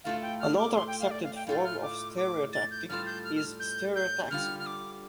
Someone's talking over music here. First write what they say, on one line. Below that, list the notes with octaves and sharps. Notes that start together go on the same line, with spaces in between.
Another accepted form of "stereotactic" is "stereotaxic".
A2 A3 F4 A4 F5
G5
F6
D6
C6
G5
F5
D5
F5
G5
A2 A3 F4 F5
F6
D6
D6
A6
G6
A2 G3 F4 A4 F6
G6
F6
F6
G6
G6
D3 G3 F4 F6
F6
D6